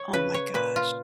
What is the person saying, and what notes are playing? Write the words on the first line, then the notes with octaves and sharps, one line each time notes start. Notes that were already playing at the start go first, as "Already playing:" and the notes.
Oh my gosh.
Already playing: C#5
C#3 B4
C#5
A#2 B4
F4